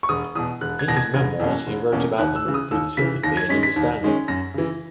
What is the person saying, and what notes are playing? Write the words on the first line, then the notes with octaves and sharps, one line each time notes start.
In his memoirs he wrote about them with sympathy and understanding.
C#6
E1 D#6
E2 B2 D#6
E1 F#6
G#6
E2 B2 A#6
G#6
E1 G#6
E2 B2 A#3 C#4
E1
E2 B2 A#3 C#4
D#2 F#6
E6
C#3 E3
D#6
D#2 E6
C#3 E3 B6
D#2 A#6
G#6
D#3 G#3 C#4 B6
B6
D#2
D#3 G#3 C#4
F#2 A#6
C#3 E3